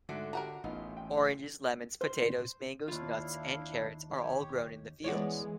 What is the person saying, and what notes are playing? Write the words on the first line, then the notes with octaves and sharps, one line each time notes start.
Oranges, lemons, potatoes, mangos, nuts and carrots are all grown in the fields.
G#2 D3 A3 F#4 D5
F#4 G4 A#4 F#5 A5 A#5
A1 B3 D#4 F4
G5
C5
D#2 D4 E4 F4 F5
G4 C#5
E3 G#3 B3 C#5 D5 F#5